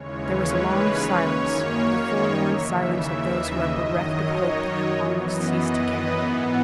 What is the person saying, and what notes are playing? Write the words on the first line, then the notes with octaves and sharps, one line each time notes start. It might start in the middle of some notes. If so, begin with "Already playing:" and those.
There was a long silence, the forlorn silence of those who are bereft of hope and have almost ceased to care.
Already playing: D#2 C#3 E3 G#3 C#4 C#5
B4
F#2 D#3 A#3 C#4 C#5
D#5
D#2 C#3 E3 E5
E5
D#5
F#2 D#3 F#3
C#5
F#2 E3 B3
D#5
B4
B4
G#2 E3 B3 F#5